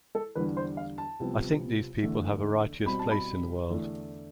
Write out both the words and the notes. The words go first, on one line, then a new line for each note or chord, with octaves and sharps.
I think these people have a righteous place in the world.
A4
E2 D3 G3 D4 B4
C5
F5
A5
C2 C3 F3 B3
E2 D3 A3
B2 G3 C4 B5
A5
B5
E2 D3 A3 D4